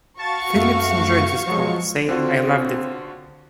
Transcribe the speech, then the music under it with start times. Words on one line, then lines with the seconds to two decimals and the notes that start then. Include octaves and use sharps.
Phillips enjoyed the school, saying, I loved it.
0.18 F#4 F5 A5 C#6 A6
0.55 F#2 A3
1.46 F3 F#3 G#3
2.09 D3 C4 F4 F#4